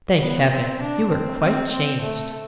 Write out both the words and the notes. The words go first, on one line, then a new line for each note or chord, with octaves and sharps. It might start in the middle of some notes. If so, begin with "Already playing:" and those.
'Thank heaven, you are quite changed.'
B3
C4
D4
C4
C4
C4
A3